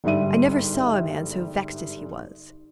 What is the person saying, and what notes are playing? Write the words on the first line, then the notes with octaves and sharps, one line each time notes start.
I never saw a man so vexed as he was.
G1 G#2 G3 E5 D#7